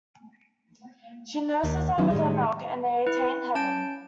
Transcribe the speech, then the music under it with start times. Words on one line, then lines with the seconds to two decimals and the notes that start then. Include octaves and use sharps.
She nurses them with her milk and they attain heaven.
1.63 D#2
1.97 D#3 F#3 B3 C#4 D#4 E4
2.10 A2 D#3 G3 G#3
3.07 E4 B4
3.55 C#4 A5 G6 D7